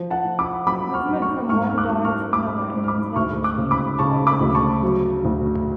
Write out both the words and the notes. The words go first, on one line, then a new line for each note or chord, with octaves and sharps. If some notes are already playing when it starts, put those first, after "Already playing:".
Movement from one dar to another entailed a change in tribal identification.
Already playing: F3
F#5 A5
F3
B5 D6
F#2 B5 D6
C#6 F6
F#2
C#6 F6
G#2 C#6 F6
F6
D6 F#6
G#2
C#6 F6
G#2 B5 D6
G#2
F6
B5 D6
D2 C#6 F6
D6 F#6
C#3
B5 D6
C#3 A5 C#6
B5 D6
D2
A5 C#6
F#3
D2